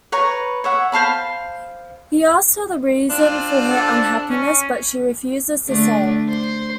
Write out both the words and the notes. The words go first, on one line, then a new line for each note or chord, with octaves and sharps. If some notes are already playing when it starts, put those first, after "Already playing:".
He asks her the reason for her unhappiness but she refuses to say.
B4 C#5 A#5
C#5 E5 F#5
C5 F5 A5 B5
C4 D4 F4 D5
A4
C#4
D3 A3 D4
C5